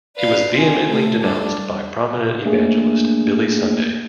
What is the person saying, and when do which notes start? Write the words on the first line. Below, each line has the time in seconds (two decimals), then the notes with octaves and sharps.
It was vehemently denounced by prominent evangelist Billy Sunday.
0.17 B4 D5 F5
0.52 C4 F4 G#4
0.90 A3 A4
1.22 G3 D4 A4
2.45 A3 A#3 D4 G#4